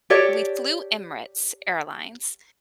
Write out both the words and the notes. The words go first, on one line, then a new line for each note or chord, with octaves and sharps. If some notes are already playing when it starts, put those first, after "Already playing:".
we flew Emirates Airlines,
G4 A4 C#5 D5